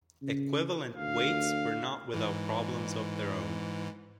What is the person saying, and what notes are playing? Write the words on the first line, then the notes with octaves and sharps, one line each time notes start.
Equivalent weights were not without problems of their own.
C#3
D2 F5
G#2 E3